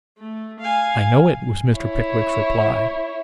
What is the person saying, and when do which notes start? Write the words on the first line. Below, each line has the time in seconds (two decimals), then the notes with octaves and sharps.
'I know it,' was Mr. Pickwick's reply.
0.18 A3
0.61 F5 G#5
1.76 E4 C#5